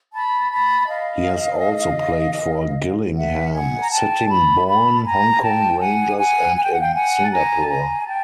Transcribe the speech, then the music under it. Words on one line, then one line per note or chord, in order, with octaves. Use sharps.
He has also played for Gillingham, Sittingbourne, Hong Kong Rangers and in Singapore.
A5 B5
A5 B5
D#5 F5
E5 F#5
F#5 G#5
A#5
G5 A5
A5 B5
A5 B5
G#5 A#5
G#5
G5 A5
F#5 G#5
F#5 G#5
G#5
G5
F#5
F5 G5
F#5 G#5
A5
G#5 A#5
A5
G#5 A#5
G5 A5